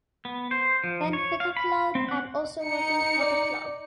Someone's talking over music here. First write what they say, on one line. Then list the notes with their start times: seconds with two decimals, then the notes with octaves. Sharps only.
Benfica club and also working for the club.
0.25 B3
0.51 C5
0.84 F3
1.13 C#5
1.40 F5
1.57 B5
1.95 C4
2.08 F#5
2.64 D#4 C#7
3.20 D5